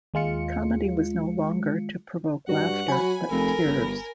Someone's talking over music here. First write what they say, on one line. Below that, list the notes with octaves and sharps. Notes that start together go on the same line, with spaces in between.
Comedy was no longer to provoke laughter, but tears.
D#2 G#3 F4 C#7
G2 F#4 F#5
F#3 G#5 B5
F1 A4 A#4
G1